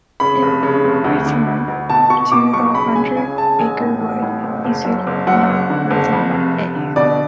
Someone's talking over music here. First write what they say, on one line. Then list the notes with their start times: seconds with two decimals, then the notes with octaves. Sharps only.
In "Return to the Hundred Acre Wood", a sequel not written by A.
0.20 C#3 B5
0.42 F1
0.63 C#3
0.84 F1
1.04 D2
1.26 D3
1.47 D2
1.68 D2
1.90 B2 A5
2.10 B2 C#6
2.32 B2 D6
2.53 B1 C#6
2.75 C#3 B5
2.95 C#2 G#5
3.16 C#3 G#5
3.38 C#3 A5
3.59 A1 G#5
3.80 A2
4.01 A1
4.22 A2
4.43 F#1
4.64 F#1
4.85 F#2
5.07 F#1
5.27 F#2 F#5
5.49 F#1
5.70 D3
5.90 F#1
6.13 F2
6.33 F1
6.54 F1
6.76 D3
6.96 B2 D5